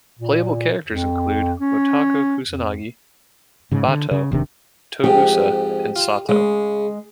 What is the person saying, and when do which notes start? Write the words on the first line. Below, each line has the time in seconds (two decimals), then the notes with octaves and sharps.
Playable characters include Motoko Kusanagi, Batou, Togusa, and Saito.
0.19 A#2
0.87 F2
1.60 C#4
2.46 F2
3.71 G#2 C#3
3.87 D3
4.11 C#3
4.32 F1 C3 D#3 D4
5.04 F2 G#2 G4
5.96 F4
6.29 C#3 G#3